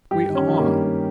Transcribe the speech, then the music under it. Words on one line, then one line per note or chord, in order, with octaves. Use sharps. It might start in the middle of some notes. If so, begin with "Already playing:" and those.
We are.
G2 G4
D#3
C#4
D#3
A#3
G2
G2